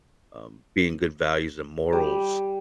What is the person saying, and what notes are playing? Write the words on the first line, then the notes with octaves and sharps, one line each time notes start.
um, being good values and morals,
G3